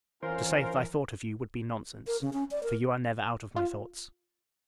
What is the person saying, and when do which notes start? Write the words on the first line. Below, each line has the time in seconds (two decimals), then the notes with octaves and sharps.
To say that I thought of you, would be nonsense; for, you are never out of my thoughts.
0.23 F2 E3 C#4 F4 A#4 C5
2.07 A#4
2.21 C#3
2.33 C#4
2.51 D5
2.63 A#4
3.56 F4